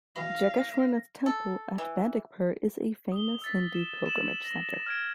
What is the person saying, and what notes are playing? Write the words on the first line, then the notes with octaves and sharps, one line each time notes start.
Jageshwarnath temple at Bandakpur is a famous Hindu pilgrimage center.
B2 E3 F5 B5 A#6
A4
E3
D#6 G7
E6 A6 B6
E7
E7 F#7
A#6
F6 G#6 D7